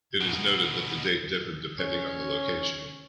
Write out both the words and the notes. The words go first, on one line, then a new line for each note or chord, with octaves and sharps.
It is noted that the date differed depending on the location.
G#2 B2
C#4 C#5